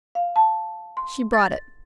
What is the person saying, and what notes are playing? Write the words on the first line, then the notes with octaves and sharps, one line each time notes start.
She brought it.
F5
A5
C6
A6